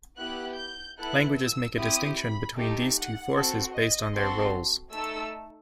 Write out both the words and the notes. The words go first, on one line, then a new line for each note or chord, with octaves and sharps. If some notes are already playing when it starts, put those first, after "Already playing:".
Languages make a distinction between these two forces based on their roles.
B3 E4 G4 F#6
G6
B3 E4 A4 F#6
E6
C4 E4 G4 D#6
B5
A3 D#4 G4 A5
F#5
C4 F#4 A4
D#5
C4 F#4 A4 C6
A3 D#4 A4 E6